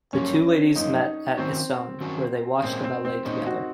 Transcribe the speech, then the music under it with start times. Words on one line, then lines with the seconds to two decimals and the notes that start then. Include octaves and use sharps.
The two ladies met at Essone where they watched a ballet together.
0.13 F#2 F3 A#3 C#4
0.76 F#2 F3 A#3 D#4
1.38 D#3 F#3 C4 C#4 F#4
2.01 D#3 F#3 C#4 F#4
2.63 A#2 G#3 C4 C#4
2.84 C4
3.05 C4
3.25 A#2 G#3 C#4 D#4
3.47 F#4